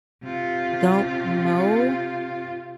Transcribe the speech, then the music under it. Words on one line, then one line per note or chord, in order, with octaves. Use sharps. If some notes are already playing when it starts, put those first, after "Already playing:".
don't know?
C3 F4